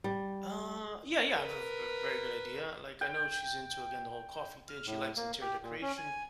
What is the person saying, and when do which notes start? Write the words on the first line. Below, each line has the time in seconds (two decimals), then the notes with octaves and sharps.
Uh, yeah, yeah, I have a v v very good idea. Like, I know she's into, again, the whole coffee thing, she likes interior decoration,
0.04 G3
1.30 A#4 B4
3.01 G5
4.69 F6
4.87 A2
5.17 A#3
5.41 G4
5.63 A#2
5.82 C#4
5.98 G#5